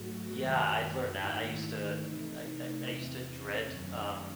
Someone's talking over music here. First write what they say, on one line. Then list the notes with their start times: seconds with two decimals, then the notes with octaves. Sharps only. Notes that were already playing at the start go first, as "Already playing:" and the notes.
Yeah, I've learned that. I used to I I I used to dread, um
Already playing: G#2 F#3 A3 F#4
0.32 F#2 D#3 G#3
1.15 G#2 D#3 A3 E4
1.98 C3 E3 A3 D#4
2.82 E2 C3 E3 C4
3.24 C#4
3.66 F#2 D#3 F#3 A3